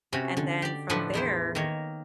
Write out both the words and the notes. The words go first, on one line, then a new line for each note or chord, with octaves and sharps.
and then from there,
C3 C#4 F#4 B5
D3
G4 D5
A2 F3 D4 A4 B4 F#5
E2 E4 C5
D#3 A#3 A#4 C#5